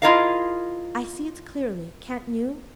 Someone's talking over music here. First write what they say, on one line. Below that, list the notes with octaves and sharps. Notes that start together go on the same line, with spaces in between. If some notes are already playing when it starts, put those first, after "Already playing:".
I see it clearly, can't you?
E4 F4 G#4 A#4 D#5 F5